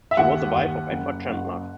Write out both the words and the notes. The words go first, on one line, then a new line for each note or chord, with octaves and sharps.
She was the wife of Edward Chandler.
E5
D#2 F#5
D#2
F#1
F#1